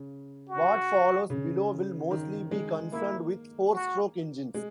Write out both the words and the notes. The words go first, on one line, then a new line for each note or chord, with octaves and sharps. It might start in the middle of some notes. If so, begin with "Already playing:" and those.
What follows below will mostly be concerned with four-stroke engines.
Already playing: C#3
F#4
C#3
D#3
G#3
A#3 E4
F#4
G#3